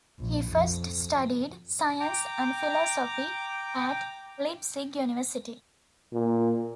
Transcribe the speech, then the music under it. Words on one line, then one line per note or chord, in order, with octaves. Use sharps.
He first studied science and philosophy at Leipzig University.
A#1
F2
G5 A#5 D6
A#2